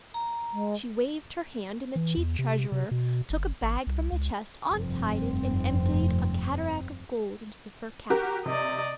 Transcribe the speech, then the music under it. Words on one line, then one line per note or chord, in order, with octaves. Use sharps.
She waved her hand, and the chief treasurer took a bag from the chest, untied it, and emptied a cataract of gold into the fur cap.
A#5
G#3
E3
E2
C3
C3
B2
G1
G#1
C2
C#2
F1 G2 C4
F#4 G4 A#4
C3 D5 D#5